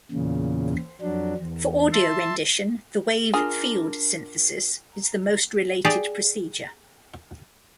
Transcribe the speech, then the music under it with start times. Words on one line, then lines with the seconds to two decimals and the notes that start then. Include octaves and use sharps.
For audio rendition, the wave field synthesis is the most related procedure.
0.11 E2 A#2 C#3
1.01 F2 F#3 D4
1.37 E2
1.92 E5 A5 C6
3.34 D4 F4 G#4 A#4
5.85 G4 G#4 D5